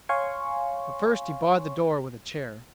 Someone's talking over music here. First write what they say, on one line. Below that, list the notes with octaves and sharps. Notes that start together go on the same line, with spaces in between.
But first he barred the door with a chair.
C#5 F5 G#5 C6 C#6